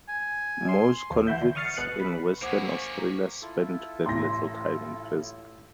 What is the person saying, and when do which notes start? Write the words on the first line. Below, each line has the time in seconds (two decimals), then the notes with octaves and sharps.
Most convicts in Western Australia spent very little time in prison.
0.09 G#5
0.68 C6
1.11 D#2 F3
1.27 E3 E4 F#4 E5 G6
1.41 D3
1.55 C#6 D#6 F6 A6 C7 C#7
1.77 G#1 B2 B3 F#6 C#7
2.00 B5
2.42 A#3 G#4 C5 F#5 C#6 D6 B6
3.42 E4 F4 A4
4.06 A1 C6 A#6